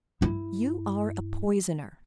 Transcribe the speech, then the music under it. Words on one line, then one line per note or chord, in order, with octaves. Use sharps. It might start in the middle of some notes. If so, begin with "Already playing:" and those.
"You are a poisoner."
G2 E4